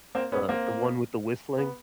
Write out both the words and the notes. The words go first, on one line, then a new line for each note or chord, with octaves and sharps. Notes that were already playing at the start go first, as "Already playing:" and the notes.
The the one with the whistling?
A#3 C4
B3 C#4
A#3 C4
B3